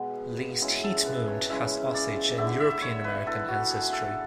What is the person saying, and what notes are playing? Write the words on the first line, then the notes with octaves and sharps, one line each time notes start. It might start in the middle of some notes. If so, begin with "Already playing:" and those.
Least Heat-Moon has Osage and European-American ancestry.
Already playing: B2 G#3 B3
C#3 G#3 C#4 E4 G#4
A4
B4
C#5
C#3 G#3 C#4 E4 E5
D5
D3 A3 E4 E5
E5
C#5
B4
D3 A3 E4 A4
F#4
G#4
A4